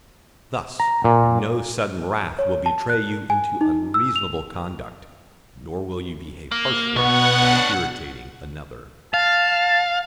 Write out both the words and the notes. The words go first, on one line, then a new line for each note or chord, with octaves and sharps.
Thus no sudden wrath will betray you into unreasonable conduct, nor will you behave harshly by irritating another.
A#5
A#2
C#5
A5
F#6
G#5
D#4
E6
F7
A#3
B2 B3 D4 C#5 F#5
F5 A5